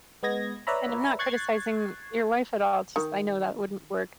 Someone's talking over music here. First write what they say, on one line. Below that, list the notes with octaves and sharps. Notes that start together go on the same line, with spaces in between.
And I'm not criticizing your wife at all, it's just I know that wouldn't work.
G#3 B3 D#5 G#6 A#6
B4 C#5 D5 E5 A#5 B5
C#6 F#6 G#6 A6 C7
D#3